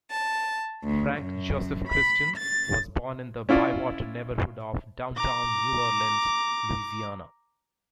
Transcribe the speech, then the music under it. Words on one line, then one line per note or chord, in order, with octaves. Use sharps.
Frank Joseph Christian was born in the Bywater neighborhood of downtown New Orleans, Louisiana.
A5
D2
F#2
B5
A6
C#4 E4 F4 D5
A#5 D6